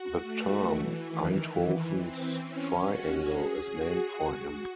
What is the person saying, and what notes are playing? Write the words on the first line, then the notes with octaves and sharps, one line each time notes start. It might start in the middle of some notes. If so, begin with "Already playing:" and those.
The term Einthoven's triangle is named for him.
Already playing: F#4
A3
E3
D#3
E3
C4
C#4
F#4
G#4
F#4
F#4